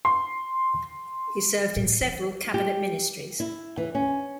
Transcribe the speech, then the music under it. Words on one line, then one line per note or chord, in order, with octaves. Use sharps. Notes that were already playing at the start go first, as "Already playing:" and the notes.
He served in several cabinet ministries.
C6
A2
E3
G4
E4
E3
C#4